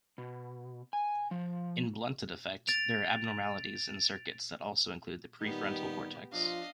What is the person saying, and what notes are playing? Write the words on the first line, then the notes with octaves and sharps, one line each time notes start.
In blunted affect, there are abnormalities in circuits that also include the prefrontal cortex.
B2
G#5
F3
A6 D7 F7
A#2 D#3 G3 B3 D#4 G4
F3 D4 F4 D#5 F5